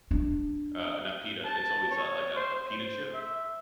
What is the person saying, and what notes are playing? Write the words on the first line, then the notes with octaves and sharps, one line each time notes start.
uh, not pita, it's always, uh, like, a, a, pita chip,
D4
A5
C#5
C5
C5
E5